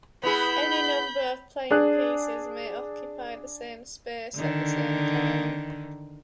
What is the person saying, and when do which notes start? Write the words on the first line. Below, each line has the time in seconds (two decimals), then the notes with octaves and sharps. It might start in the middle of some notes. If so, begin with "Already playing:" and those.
Any number of playing pieces may occupy the same space at the same time.
0.23 B3 E4 G#4 B5 G6
1.71 D4 G#4 F#6
4.36 D3 D#3